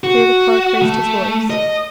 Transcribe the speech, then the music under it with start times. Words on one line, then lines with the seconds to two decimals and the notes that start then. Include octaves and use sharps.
Here the Clerk raised his voice.
0.04 F#4
0.82 A3
1.50 D#5